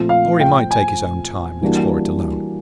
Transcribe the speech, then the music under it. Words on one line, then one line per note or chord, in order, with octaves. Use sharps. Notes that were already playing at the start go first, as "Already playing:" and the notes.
Or he might take his own time, and explore it alone.
Already playing: A#2 F3 A3 C4 F4
F5
G5
G#5
E3 G3 A#3 D4 F#4